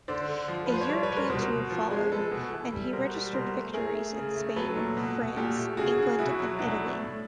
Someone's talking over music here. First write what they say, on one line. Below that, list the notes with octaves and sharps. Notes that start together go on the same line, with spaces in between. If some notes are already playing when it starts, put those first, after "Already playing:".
A European tour followed, and he registered victories in Spain, France, England, and Italy.
D3 C5 D5
D3
F3
B4
F3 C5
C#5
G3 C5 D5
B4 C#5
G3
A#4 C5
B2 A#4 C5
B2
F3
G#3
G#3 A4 B4
B2
E3
G3
B2 A#4 C5
G3
B2 A#4 C5
A3
A3 G#4 A#4
A3
C#3
A3
F#3 A4 B4
A#2
B2
B2
A#2 G4 A4
A3
C#3 F#4 G#4
C#3
B2 E4 F#4
F#3
B2 D4 E4
A3
A2